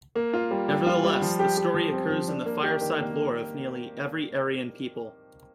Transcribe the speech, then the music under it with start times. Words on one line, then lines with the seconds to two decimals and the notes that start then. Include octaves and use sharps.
Nevertheless, the story occurs in the fireside lore of nearly every Aryan people.
0.15 A#3
0.34 F4
0.51 G3
0.68 G3
0.86 F4
1.04 G3
1.22 F3
1.39 G4
1.57 G4
1.74 F3
1.93 C4
2.10 F3
2.28 D4
2.46 A#3
2.63 G4
2.81 D#3
2.98 A#3